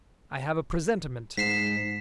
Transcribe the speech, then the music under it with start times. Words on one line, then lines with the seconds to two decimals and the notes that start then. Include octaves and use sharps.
I have a presentiment.
1.37 G#2 B6 C7 E7